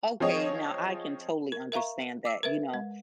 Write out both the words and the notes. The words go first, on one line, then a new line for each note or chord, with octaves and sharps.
Okay, now, I can totally understand that, you know,
F3 C4 G#4 C#5 D#5
A#4
A#4 E5 F5 A#5 C#6
D6 E6
A#4 B4 E5
G#3